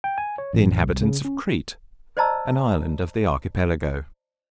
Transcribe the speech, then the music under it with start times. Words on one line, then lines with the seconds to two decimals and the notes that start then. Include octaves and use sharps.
The inhabitants of Crete, an island of the Archipelago.
0.04 G5
0.18 G#5
0.38 C#5
0.53 A1
0.82 C2
1.03 C#3
1.25 C#4
2.17 C5 D5 D#5 A5 A#5 E6